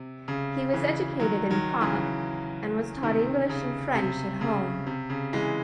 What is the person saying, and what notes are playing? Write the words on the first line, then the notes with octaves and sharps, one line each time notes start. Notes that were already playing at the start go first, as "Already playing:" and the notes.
He was educated in Prague and was taught English and French at home.
Already playing: C3
C#3
C#3 E3
D#3 F#3
D#3 F#3
C#3 E3
C3 D#3
C#3
C3
C#3
C3
C#3
E3 G#3